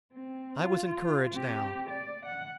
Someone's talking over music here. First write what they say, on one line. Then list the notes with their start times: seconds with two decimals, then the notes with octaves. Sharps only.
I was encouraged now.
0.13 C4
0.61 F4
1.31 C4 G4
1.90 D5
2.25 F#5